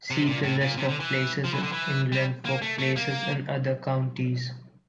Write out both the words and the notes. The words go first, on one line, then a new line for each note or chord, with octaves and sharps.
See the list of places in England for places in other counties.
C3
A#2
A2
A#2
C3
D3
E3
F3
E3
D3
E3
G3
A#3
A3
A3
A#3